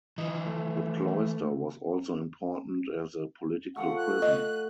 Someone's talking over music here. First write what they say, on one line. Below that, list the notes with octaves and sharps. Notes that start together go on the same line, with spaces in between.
The cloister was also important as a political prison.
E3 F3 D#4
A3
F3 A3 F#4 F#5
F#6
D#5